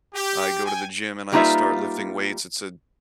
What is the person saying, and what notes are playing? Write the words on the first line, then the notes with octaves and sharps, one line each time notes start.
I go to the gym and I start lifting weights, it's a
G4
G5 G#5
G3 A#3 D#4 F4 B4 E5